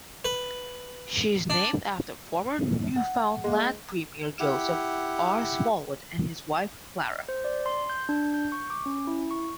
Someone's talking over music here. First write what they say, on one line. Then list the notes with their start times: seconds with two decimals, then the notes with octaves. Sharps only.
She is named after former Newfoundland premier Joseph R. Smallwood and his wife Clara.
0.25 B4
1.50 D4
2.96 F#5
3.44 G#3 A#3
4.40 E4 G4 F#5
7.29 C5
7.45 D5
7.66 C6
7.90 G6
8.09 D4
8.34 G6
8.52 C#6
8.70 D6
8.86 C#4
9.07 E4
9.31 C#6